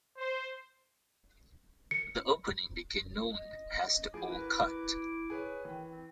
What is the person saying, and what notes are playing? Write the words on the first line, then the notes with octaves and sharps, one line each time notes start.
The opening became known as "The Old Cut".
C5
C#7
D#5
F3 E4 G#4 D6
F#4 A#4 B4
G#4 B4 C#5
D#3 E3
C4